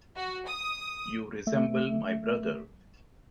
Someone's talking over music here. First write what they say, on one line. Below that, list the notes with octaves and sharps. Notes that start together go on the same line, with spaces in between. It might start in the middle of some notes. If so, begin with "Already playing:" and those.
You resemble my brother.
F#4
D#6
A3 E5